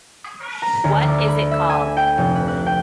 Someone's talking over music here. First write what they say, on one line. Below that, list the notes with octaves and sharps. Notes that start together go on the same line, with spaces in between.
What is it called?
A#5
D2
D5
B5
E5
G#5
G5
F1
B4
F#6
G5